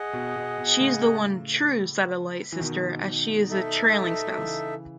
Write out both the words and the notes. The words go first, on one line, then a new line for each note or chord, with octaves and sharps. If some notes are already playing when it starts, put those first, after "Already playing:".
She is the one "true" satellite sister as she is a "trailing spouse".
Already playing: G#4 D#5 F#5
B2
B2
B2
A2 C#3
E3
B2 D#3
D#4 A4 E5
F#3
C#3 E3